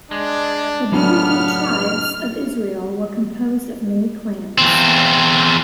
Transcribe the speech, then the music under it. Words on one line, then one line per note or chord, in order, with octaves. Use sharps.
The Biblical 'tribes' of Israel were composed of many clans.
G#3 D4
F#2 A2 C#3 F#3 B3 D4 F6
E2 C4